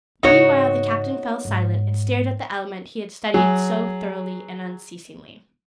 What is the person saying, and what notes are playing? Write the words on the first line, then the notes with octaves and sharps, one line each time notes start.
Meanwhile the captain fell silent and stared at the element he had studied so thoroughly and unceasingly.
G#2 C#3 D#4 F#4 C#5
G#2
F#3 G#4